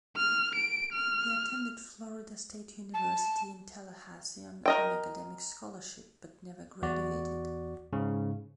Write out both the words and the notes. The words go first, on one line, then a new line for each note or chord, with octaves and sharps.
He attended Florida State University in Tallahassee on an academic scholarship, but never graduated.
F6
D7
F6
A5
A#4 D#5 G5
E2 F#4 D5
G#2 C#3